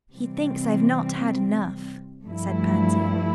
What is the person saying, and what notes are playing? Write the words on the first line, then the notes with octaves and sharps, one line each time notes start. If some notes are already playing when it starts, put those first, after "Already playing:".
"He thinks I've not had enough," said Pansy.
C3 E3 G3 C4
G2 F3 A3 E4